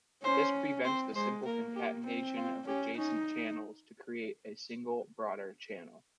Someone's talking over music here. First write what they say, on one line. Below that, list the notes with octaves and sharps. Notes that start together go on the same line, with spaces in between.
This prevents the simple concatenation of adjacent channels to create a single broader channel.
C#4 C5
C4 C5
G#3 C5
A#3 A#4
G4
C4
F4
C#4 G4
C#4 D#4